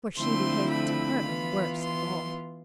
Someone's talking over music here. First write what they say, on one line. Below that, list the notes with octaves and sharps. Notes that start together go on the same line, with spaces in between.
For she behaved to her worst of all.
D3 F3 A3 C4 E4 C6
B5
E3 B3 F4
C6